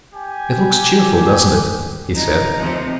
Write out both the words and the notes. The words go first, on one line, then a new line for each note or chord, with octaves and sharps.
"It looks cheerful, doesn't it?" he said.
G4 G#5
D2 D#4
C3 F3